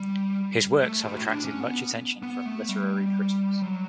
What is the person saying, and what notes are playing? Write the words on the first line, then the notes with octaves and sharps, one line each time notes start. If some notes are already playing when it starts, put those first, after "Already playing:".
His works have attracted much attention from literary critics.
Already playing: G3
A3
G4
F#4
E4
D4
C#4
B3
B3
A3
G3
F#3